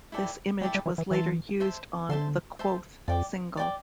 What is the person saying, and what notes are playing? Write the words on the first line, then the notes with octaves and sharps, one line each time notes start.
This image was later used on the Quoth single.
E4 A4 D5 G5
G3 E4 A4 D5 G5
G3
E3
E3
E3 C5 E5 A5 C6
C5 E5 A5 C6
D3 C5 E5 A5 C6
C5 E5 A5 C6
F2 D5 G5 D6
D5 G5 D6